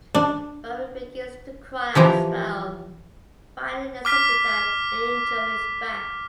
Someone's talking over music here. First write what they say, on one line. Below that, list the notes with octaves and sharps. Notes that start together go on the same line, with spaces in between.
Buffy begins to cry as well, finally accepting that Angel is back.
D4
E3 F3 G4 A#5
D6 F6 B6